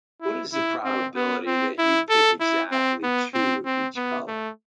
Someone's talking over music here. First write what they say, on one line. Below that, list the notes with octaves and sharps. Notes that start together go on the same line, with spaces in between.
What is the probability that you pick exactly two of each color?
E4
E4
C4
B3
C4
E4
A4
E4
C4
B3
C4
C4
B3
A3